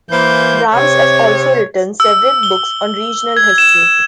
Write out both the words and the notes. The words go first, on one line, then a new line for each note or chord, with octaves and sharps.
Brahms has also written several books on regional history.
E3 A#3 C5 G6
C3 C#5
E6
G7
G#6
E7